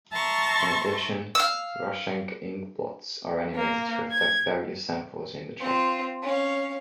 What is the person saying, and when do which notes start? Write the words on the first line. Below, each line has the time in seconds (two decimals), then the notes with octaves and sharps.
In addition, Rorschach ink-blots are animated to reflect various samples in the track.
0.12 E5 A5 A#5 C6 C#6
1.35 F5 E6
3.55 A#3
4.12 G#6
5.60 C4 F4
6.22 C#4 F5